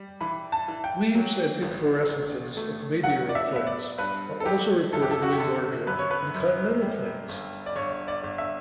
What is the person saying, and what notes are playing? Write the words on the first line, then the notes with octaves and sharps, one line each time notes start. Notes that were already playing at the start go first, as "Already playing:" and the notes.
Leaves and inflorescences of Madeiran plants are also reportedly larger than continental plants.
Already playing: G3
E3 B5
A5
E3
G5
F#3
A1
A1
A3
F#3 F#5
D5
E5
B3 E5
D5
G2 B4
A4
F#3 G4
F#2 A4
G4
A4
F#4
G4
D3 A4
F#2 B4
C#5
B4
F#2
G3
G1
D5
G1 C#5
D5
G1
E5